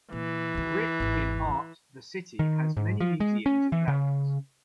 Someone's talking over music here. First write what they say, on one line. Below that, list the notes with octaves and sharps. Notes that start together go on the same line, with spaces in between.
Rick in art the city has many museums and galleries.
A#2 E3
D#2 D#3
G#1 E2
D#3
G#2
F3
G#3
C#4
E3
C#3